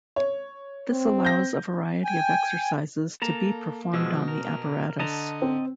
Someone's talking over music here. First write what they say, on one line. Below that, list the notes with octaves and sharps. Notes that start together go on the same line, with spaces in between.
This allows a variety of exercises to be performed on the apparatus.
C#5
C4
G6 A#6
G5 G#5
A#3 A4 A5 A#5
B2 F3 G#3 E6
A#4
D3 D#5 A5 A#5
C4